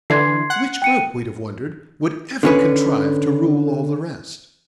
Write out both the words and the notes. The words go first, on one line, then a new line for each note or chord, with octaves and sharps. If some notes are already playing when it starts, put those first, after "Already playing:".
Which group, we'd have wondered, would ever contrive to rule all the rest?
D3 E3 C6 G#6 C7
F#5
G5 C#7 D#7
D3 C#4 B4